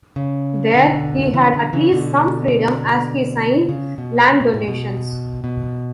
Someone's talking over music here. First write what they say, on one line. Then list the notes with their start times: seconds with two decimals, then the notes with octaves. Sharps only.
There he had at least some freedom as he signed land donations.
0.16 C#3
0.75 B2 D3
1.34 C#3 E3
1.54 B2 D3
1.73 C#3 E3
1.92 B2 D3
3.69 C#3
3.98 B2
4.28 C#3
4.41 B2
4.54 A2
4.68 B2
5.44 B2